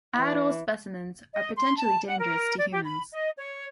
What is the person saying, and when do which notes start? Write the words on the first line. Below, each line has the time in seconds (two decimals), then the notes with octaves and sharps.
Adult specimens are potentially dangerous to humans.
0.16 E3
1.33 D#5
1.56 C6
1.77 A5
2.06 F#5
2.19 A#4
2.58 D5
2.71 G4
2.84 B5
3.11 D#5
3.37 C#5